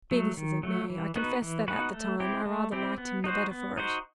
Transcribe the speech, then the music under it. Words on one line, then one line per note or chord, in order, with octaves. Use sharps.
Be this as it may, I confess that, at the time, I rather liked him the better for it.
F#3 A3
D#3
F#3 A3
E3
B3 D#4 F#4 B4
E3
B3 D#4 F#4 B4
A3
C4 E4 G4
A3
C4 E4 G4
B3
D#4 F#4 C5
B3
D#4 F#4 C5